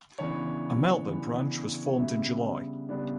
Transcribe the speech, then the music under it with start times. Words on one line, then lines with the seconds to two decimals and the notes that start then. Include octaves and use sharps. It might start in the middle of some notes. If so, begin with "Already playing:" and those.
A Melbourne branch was formed in July.
0.18 C#3 E3 B3 D4 C#5
1.09 C#3 E3 B3 D4
1.98 C#3 G3 B3 D4 E5
2.89 C#3 G3 B3 D4